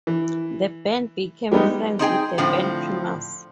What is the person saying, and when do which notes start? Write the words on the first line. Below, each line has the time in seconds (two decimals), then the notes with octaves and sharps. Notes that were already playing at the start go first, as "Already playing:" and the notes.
The band became friends with the band Primus.
0.07 E3
1.51 G3 G#3 B3 D#4
1.99 C4 D#4 G#4 G5
2.38 A2 D3 F3 C4